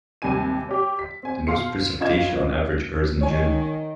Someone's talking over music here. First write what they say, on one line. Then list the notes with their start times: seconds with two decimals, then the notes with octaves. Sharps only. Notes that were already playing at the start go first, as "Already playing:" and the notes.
The most precipitation on average occurs in June.
0.22 G#1 D#2 C3 G3 G#5 D#7
0.69 G4 C#5
0.99 B6
1.23 C4 G#5
1.47 B2 F5 C6 C7 C#7
2.00 C#3 C#4 F4 D#5 G#6 E7
3.21 D#3 C#5 G#5